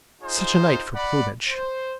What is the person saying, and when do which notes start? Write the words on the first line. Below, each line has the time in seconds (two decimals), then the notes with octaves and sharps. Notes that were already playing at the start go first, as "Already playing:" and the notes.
Such a night for plumage!'
0.22 D#4 F4 G#4 C5
0.94 D5 F#5 B5
1.48 C5